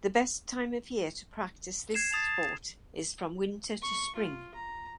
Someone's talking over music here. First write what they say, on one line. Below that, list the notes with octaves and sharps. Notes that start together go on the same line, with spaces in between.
The best time of year to practice this sport is from winter to spring.
G#6 C7 E7
A5 D#6 F7
C#6
F4
A#5